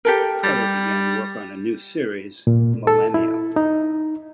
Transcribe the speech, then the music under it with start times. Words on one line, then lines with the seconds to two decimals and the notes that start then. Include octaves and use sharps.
Carter began work on a new series, "Millennium".
0.05 G4 A4 A#4
0.43 G3
2.47 A#2
2.87 A4
3.14 E4
3.56 D#4